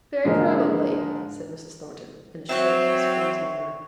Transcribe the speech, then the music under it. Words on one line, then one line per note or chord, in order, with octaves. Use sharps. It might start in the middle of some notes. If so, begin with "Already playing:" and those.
'Very probably,' said Mrs. Thornton, in a short displeased manner.
G#2 D3 F3 G#3 A#3 D#4
F#3 C4 E5 C#6